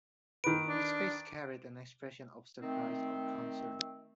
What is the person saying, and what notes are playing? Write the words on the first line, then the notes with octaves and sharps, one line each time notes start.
His face carried an expression of surprise or concern.
D#3 B4 D7
D4
D#3 A3 C4